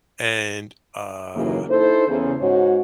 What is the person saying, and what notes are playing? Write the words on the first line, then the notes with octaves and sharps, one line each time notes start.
and, uh,
D#2 C#3 E3 F#3 A#3
D#4 E4 A4 C5
E2 C#3
G#2 F#4 C#5